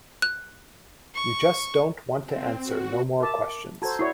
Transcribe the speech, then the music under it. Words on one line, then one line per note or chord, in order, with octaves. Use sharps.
You just don't want to answer no more questions.
F#6
C#6
C4
F#4
A#4 E5 A5 D6
F#4 A4 C5 A5 A#5 G#6
E4 F#4 C#5 D5 C#6 C7